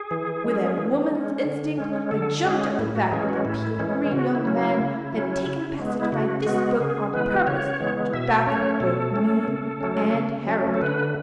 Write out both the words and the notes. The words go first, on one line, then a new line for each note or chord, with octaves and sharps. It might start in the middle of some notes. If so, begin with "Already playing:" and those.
With a woman's instinct, I jumped at the fact that the pea-green young man had taken passage by this boat, on purpose to baffle both me and Harold.
Already playing: G#4
E3
G#3 C#4
E3
G#3 C#4
D3
G#3 C#4
D3 A4
G#3 C#4 G#4
A2 E4
F#4
E3 G#3 C#4 G#4
F#4
A2 E4
E3 G#3 C#4
C#3 F#4
E4
F#3 C#4
E4
C#3
F#3 C#4
C#3
G#3 B3
E4
C#3 F#4
G#3 B3 F#4
C#3 G#4
E3 G#3 B3 B4
C#3 C#5
E3 G#3 B3
B2 E5
A3 C#4 C#5
B2 A4
A3 C#4
C#3
F#3 A3 C#4
C#3
F#3 A3 C#4
A4
D3 B4